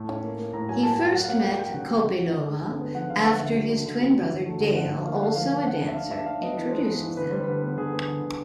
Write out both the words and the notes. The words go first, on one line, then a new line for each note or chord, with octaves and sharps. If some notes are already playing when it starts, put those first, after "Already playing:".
He first met Kopylova after his twin brother Dale, also a dancer, introduced them.
Already playing: A2 A3
C#4
A#3
A#3
A2 A#5
F#3 G#5
A#3 A5
G#5
F#3 G5
F#3 F#5
F5
A#3 F#5
F#3 G5
F#3 G5
C#3 F#5
F#3 G5
C#3
F#3
D3
G#3
D3
B3
F3 F#5
D3 F5
G#3 F#5
D3 E5
F#3
D3
D3
F#3
D3
F#3
A3
D3
F3 F#5
F3
A#3 F5
F#5
A#3 F5
F3 F5
A#3
D4 F#5
D4
E5
D4 F5
D4 E5
D4 F5
B3 D#5
E3 B4
G#3 C5
B4
B3
E3
D3 B4
G3 C5
D3 B4
B3
D3 G#4
B3
D3
D3